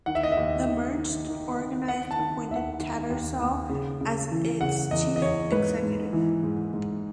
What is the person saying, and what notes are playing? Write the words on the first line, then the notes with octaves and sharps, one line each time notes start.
The merged organised appointed Tattersall as its chief executive.
D#3 F#5
E5
D#5
E5
D#2
D#3
D#3
D#3
D#3
D#3 F#5
A5
D#3
D#2 E5
F#5
D#3
D#2
D#2
C#3
C#3
E3
C#3 F#5
E2 D#5
D#5
E2 C#5
G#2 B4
G#2
E3
G#2
G#2